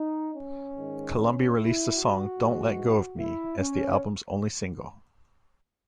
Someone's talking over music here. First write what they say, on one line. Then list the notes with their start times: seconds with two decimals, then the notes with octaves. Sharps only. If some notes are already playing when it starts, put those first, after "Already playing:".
Columbia released the song "Don't Let Go of Me" as the album's only single.
Already playing: D#4
0.34 C#4
0.74 G#2 D#3 G#3
1.15 C#4
1.56 E4
1.96 F#4
2.37 G#2 E3 G#3
3.18 E4
3.59 C#4